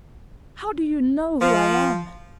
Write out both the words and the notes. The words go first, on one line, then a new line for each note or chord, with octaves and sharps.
How do you know who I am?
F3